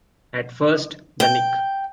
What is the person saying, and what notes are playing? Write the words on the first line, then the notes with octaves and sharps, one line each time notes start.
At first, the Nick.
G5